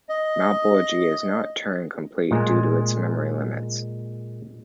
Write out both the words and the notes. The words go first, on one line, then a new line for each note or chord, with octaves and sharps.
Malbolge is not Turing-complete, due to its memory limits.
D#5
A#2 G#3